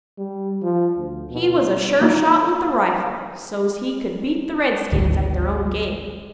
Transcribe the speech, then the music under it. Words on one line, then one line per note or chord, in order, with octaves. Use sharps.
He was a sure shot with the rifle so's he could beat the redskins at their own game.
G3
F3
D2
B2
A#3 D#4 E4 F#4
G#1 D2